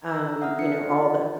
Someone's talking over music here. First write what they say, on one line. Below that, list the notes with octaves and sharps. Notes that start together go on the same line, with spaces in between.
um, you know, all the
A#5 E6 G6
E5 F#5 D#6 F6
D4 A4 F#5 C#7
F4 D#5